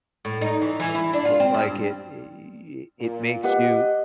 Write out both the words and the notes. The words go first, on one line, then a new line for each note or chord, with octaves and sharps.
l like, it i i it makes you
A2
D#4
E3
E3
E4
D4
F4
C4
G2
A#2
G4 B4 D#5 F#5